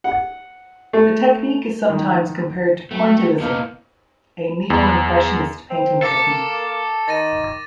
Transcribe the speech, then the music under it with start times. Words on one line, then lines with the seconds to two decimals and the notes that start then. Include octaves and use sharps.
The technique is sometimes compared to "pointillism", a neo-impressionist painting technique.
0.04 F#5
0.93 A3
1.89 D#3
2.91 F#3 A3 C4 C#5
3.39 E2 A#3 B3 E4 D#5 A5
4.70 E2
5.71 C4
6.02 A#3 A4 D6 A6
7.08 D#3 A6 A#6 D#7